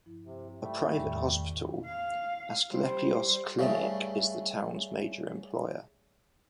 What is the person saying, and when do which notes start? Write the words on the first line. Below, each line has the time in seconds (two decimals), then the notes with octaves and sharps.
A private hospital, Asklepios Klinik, is the town's major employer.
0.06 G2 F3 E4
0.25 C3
0.61 G3 A3
0.98 E2 A2 D#3
1.86 F5
2.70 G3 C5
3.59 G2 C#3 A3